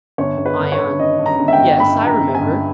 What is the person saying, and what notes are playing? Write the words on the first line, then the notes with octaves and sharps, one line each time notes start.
ION: Yes, I remember.
G1 C#5
G1
B4
G2
C#5
G2
D#3 D#5
G2
A#5
G1
E5
G5
G1
G2 B5
G2
A#5
G1
G#5
G2